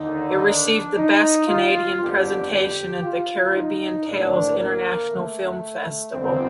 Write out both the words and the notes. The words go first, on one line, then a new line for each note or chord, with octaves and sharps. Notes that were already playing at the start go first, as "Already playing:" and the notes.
It received the Best Canadian Presentation at the Caribbean Tales international Film Festival.
Already playing: D#2 D3 D#4
D4
D#4
F4
G1 F2 D3 G4
G4
F4
D#4
A#1 A2 D4
A#3
A3
G1 F2 D3 C4